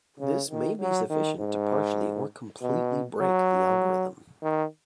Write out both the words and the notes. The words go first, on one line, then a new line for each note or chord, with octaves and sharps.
This may be sufficient to partially or completely break the algorithm.
C#3
D#3
F#3
D#3
G#2
B2
F#3
D#3